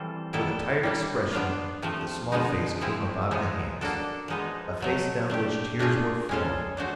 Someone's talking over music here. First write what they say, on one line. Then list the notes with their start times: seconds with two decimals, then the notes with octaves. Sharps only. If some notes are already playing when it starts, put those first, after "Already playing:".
With a tired expression the small face came up out of the hands,--a face down which tears were flowing.
Already playing: E3 G3 C4 F4 A4
0.33 D#3 G3 B3 E4 A4
0.83 G3 A#3 D4
1.33 B3 D4 F4
1.82 C3 F3 A3
2.32 D3 F3 G#3 B3 D#4
2.81 F3 G#3 C4 E4
3.31 F3 G#3 B3 D#4
3.81 A#3 D4 F#4 A4
4.28 F3 G#3 B3 D#4
4.80 B2 F#3 A3
5.30 A3 D4 G4
5.79 A3 D4 F4 G#4
6.29 G#3 C#4 F4 A4
6.77 A3 D4 F#4 C5